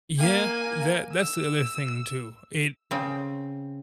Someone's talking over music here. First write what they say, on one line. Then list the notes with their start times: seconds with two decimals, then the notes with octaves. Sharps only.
Yeah, that that's the other thing too, it
0.19 A#3 G#5
1.13 E6
2.91 C#3 C4